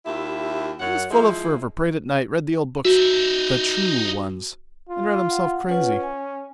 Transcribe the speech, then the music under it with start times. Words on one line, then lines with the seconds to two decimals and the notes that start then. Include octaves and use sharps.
He was full of fervour, prayed at night, read the old books, 'the true' ones, and read himself crazy.
0.05 D#2 E4 F4 G4 E5
0.79 F#2 F#5
1.10 F3 G#3 E4
2.85 D#4 F#4 E5
4.89 F4
5.30 F#5
5.69 C#4 F4 B4 F#5
6.03 G#5